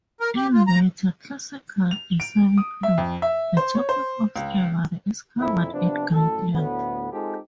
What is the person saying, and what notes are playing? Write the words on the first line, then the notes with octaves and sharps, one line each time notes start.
In later classical Islamic law, the topic of slavery is covered at great length.
A#4
G4
F4
A#5
F7
D7
D#6
E5
F2
E5
C5
C#5
C5
C#2
F2 A#2 E4
C3 F3 B3 D4
F#2 A2 A3 A4
D2 A2 B3
G#3 C4 D#4 F4 G4 A4